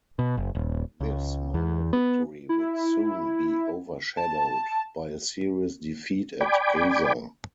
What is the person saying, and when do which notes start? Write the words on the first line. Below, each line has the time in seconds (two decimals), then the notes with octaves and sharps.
This minor victory would soon be overshadowed by a serious defeat at Gaza.
0.19 B2
0.37 F#1
0.55 D#1
1.01 C#2
1.54 E2
1.93 B3
2.49 E4
4.17 A5
6.41 D5 G5 G#5 B5 D6